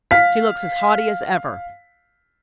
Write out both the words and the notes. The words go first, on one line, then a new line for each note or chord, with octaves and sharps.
She looks as haughty as ever.
F5 B6